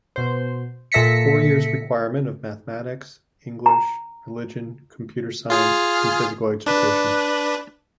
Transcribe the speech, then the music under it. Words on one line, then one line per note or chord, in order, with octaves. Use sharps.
Four years requirement of mathematics, English, religion, computer science and physical education.
B2 C5
A#2 A4 E5 A#6 B6 C#7
A#5
F4 G#4 F6
D4 B4